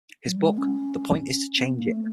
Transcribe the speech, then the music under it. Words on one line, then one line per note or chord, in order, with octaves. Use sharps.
His book The Point Is To Change It!
F#3
G3
G#3
C#4
C4
B3
A#3
A3